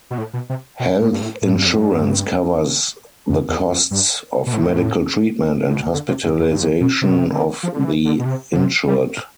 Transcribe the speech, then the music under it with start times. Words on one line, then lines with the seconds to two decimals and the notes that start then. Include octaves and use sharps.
Health insurance covers the costs of medical treatment and hospitalisation of the insured.
0.11 B2
0.18 A2
0.33 B2
0.50 C3
0.80 B2
1.02 A2
1.12 G2
1.22 A2
1.42 A2
1.54 G2
1.66 F2
1.79 G2
3.29 F2
3.49 E2
3.70 F2
3.91 G2
4.46 B2
4.53 A2
5.67 A2
5.76 B2
5.93 D3
6.08 C3
6.23 G2
6.39 E2
6.51 G2
6.60 F2
6.81 B2
7.02 C3
7.10 B2
7.18 C3
7.32 D3
7.63 F3
7.74 D3
7.84 E3
8.05 D3
8.19 B2
8.26 C3
8.53 D3
8.57 C3
8.88 G3